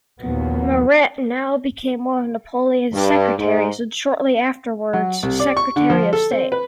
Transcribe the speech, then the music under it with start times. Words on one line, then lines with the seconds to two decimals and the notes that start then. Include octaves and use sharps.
Maret now became one of Napoleon's secretaries and shortly afterwards Secretary of State.
0.22 A#1 D#2 F3 F#3 A#3 B3
2.93 G2
3.38 G#2
4.93 F#3
5.23 C2
5.40 D5
5.57 C#6
5.76 D3
5.90 F3
6.13 A4
6.31 C4
6.52 B4